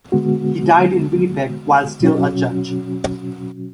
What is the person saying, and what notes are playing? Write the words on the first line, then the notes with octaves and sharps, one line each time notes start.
He died in Winnipeg while still a judge.
D3 G#3 B3 F#4
B2 F#3 C#4 F#4